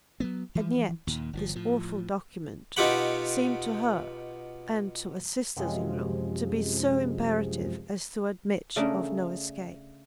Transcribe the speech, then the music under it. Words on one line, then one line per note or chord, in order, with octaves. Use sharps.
And yet this awful document seemed to her and to her sisters-in-law to be so imperative as to admit of no escape.
F#3 A3 B3
E3 F3
D#2 A#2
G1 A#2 F3
A2 F3
B2 D#4 F4 G4 F#5 B5
F#2 C3 F3 G#3
C#3 A3 D4 A#4